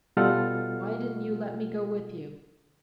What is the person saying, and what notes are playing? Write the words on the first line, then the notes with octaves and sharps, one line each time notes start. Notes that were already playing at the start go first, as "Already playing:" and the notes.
"Why didn't you let me go with you?"
B2 G3 F4 A4 F#5 F6